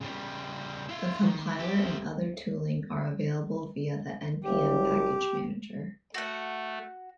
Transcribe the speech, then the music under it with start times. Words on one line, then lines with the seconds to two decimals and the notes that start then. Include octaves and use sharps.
The compiler and other tooling are available via the npm package manager.
0.01 C#3 G3
0.89 E4 F5
1.23 D#3
1.59 E4 G4
4.44 F#1 G3 G4
6.14 A3 F#4 F#5